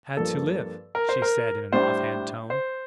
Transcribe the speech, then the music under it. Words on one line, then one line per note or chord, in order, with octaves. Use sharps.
"I had to live," she said in an off-hand tone.
G2 F3 A#3 A4
A#4
C5
A#4
A2 G3 D4 C5
C5